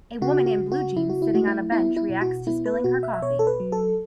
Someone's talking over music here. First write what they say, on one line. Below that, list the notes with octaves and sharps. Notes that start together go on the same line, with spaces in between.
A woman in blue jeans sitting on a bench reacts to spilling her coffee.
C#3 F#4
F#4
C#3
F#4
C#3 E4
F#4
E4
A3 F#4
E4
B3 E4
E4
B2
F#4
B3 E4
B4
B2 F#4
E5
E5
B2 C#5
A4
B4
F#3
A4